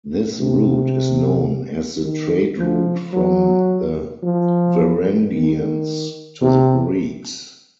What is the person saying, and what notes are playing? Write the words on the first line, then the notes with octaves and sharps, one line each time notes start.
This route is known as the trade route from the Varangians to the Greeks.
C3
D#3
F3
F#3
F3
D#3
C3